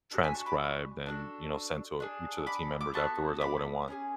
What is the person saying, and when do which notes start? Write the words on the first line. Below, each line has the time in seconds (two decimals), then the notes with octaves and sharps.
transcribed and, you know, sent to each of the team members afterwards. I wouldn't want,
0.11 D4 F#4 A4
0.23 G#5 B5
0.35 A5 C#6
0.46 B5 D6
1.06 D4 F#4 A4
2.00 D4 G#4
2.47 B5 D6
2.81 D6
2.94 B3 F#4 A4 A5 C#6
3.41 B5 D6
3.88 C#4 E4 G#4